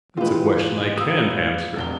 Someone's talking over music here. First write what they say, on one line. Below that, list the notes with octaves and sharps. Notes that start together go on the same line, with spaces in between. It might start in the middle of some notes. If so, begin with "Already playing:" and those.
That's a question I can't answer.
E2 A#2 E3 G#3 F4 G4 B4
A#3 G4 D#6 E6
F1 C3 D4 A#4 G7